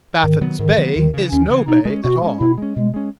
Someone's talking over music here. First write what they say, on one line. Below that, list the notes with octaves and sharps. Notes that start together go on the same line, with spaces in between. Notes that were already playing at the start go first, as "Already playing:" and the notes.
Baffin's Bay is no bay at all.
G#2 D#3
D#3 F#3 B3
G#2 D#3
D#3 F#3 B3
D#2 D#3
C#3 E3
D#2 C#4
C#3 E3
B2 D#4
G#3 C#4
B2 F#4
G#3 C#4
B2 E4
G#3 C#4
B2 G#3
G#3 C#4